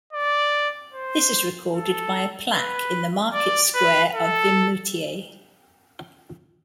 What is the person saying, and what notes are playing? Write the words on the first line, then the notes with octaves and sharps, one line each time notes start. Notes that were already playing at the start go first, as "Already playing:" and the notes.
This is recorded by a plaque in the market square of Vimoutiers.
D5
C5
A4
B4
D5
B4
A4